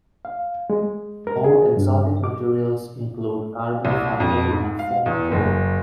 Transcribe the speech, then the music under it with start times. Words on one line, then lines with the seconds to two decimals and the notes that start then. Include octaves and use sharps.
More exotic materials include carbon fiber and foam core.
0.25 F5
0.70 G#3
1.27 A#4
1.44 G#4
1.77 G2
2.24 D6
3.85 C2
4.20 F2
4.50 G#2
4.79 F5
5.06 E2
5.31 F#1